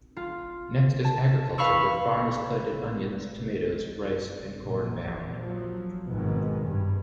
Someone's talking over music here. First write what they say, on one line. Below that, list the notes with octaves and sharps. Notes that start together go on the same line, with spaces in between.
Next is agriculture where farmers planted onions, tomatoes, rice and corn bound.
F4
A5
B4 F5 B5 C#6 E6
A#1 A#2
F3 F#3
G#1 G#2 B2 D#3 G#3
G2